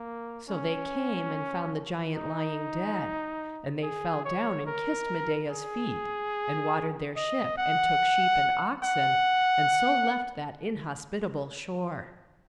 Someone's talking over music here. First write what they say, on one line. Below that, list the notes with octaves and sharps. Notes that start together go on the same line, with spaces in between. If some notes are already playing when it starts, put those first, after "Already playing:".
So they came, and found the giant lying dead; and they fell down, and kissed Medeia's feet; and watered their ship, and took sheep and oxen, and so left that inhospitable shore.
Already playing: A#3
C#4
D#4
G#4
C#5
A#4
G#4
D#5
F#5
F#5